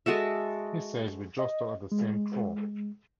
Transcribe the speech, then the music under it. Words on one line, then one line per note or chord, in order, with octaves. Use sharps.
He says we jostle at the same trough.
G#3 F#4 A4 E5
D#5
G#3